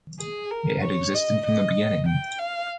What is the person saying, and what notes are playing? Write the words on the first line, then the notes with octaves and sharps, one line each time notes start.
It had existed from the beginning.
G#4
A#4
C#5
D#5
D#5
G5
F5